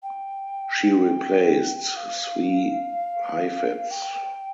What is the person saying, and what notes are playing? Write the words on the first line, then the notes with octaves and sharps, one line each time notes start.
She replaced Zvi Heifetz.
G5
F5
G5